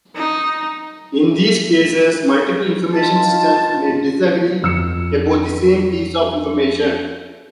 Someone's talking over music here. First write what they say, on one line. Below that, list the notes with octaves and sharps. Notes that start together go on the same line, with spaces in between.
In these cases, multiple information systems may disagree about the same piece of information.
D#4
D#4 F4 A5
F2 E6 C#7